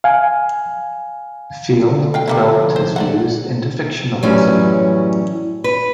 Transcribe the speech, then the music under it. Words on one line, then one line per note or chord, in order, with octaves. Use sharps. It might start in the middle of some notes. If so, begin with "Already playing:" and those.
Field developed his views into fictionalism.
F5 G#5
D3
A3 B3 A#4 F5 G5
G3 A#3 E4 B4
A#1 C3 D6
C5
D5 D#5 F#5
F#2 A2 E3 F#3 G3 C#4
B4